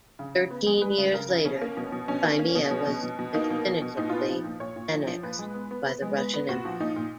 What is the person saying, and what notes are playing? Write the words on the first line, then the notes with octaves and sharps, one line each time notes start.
Thirteen years later, Crimea was definitively annexed by the Russian Empire.
C#3
C#3
B3
G#3
G#3 B4
C#3
C#3 A#4
C#3
B2 C#4
A#3
B2
B2
B2 C#4
A#3
A#3
B2
B2
B2
B2
B2
A#3 D#4
B2
B2
B2
A#2 D#4
B3 F4
D#4
F3
A#2
A#2 C#5
A#2
F3
F3
A#2 B4
G#3
B3
B3
B3
G#3
B3
B3
A#2 F#4
F3
A#2 D#4
A#2